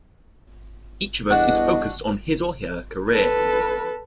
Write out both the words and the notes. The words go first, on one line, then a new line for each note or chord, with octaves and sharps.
Each of us is focused on his or her career.
G1 E2 D4 F#4 D#5
A4 B4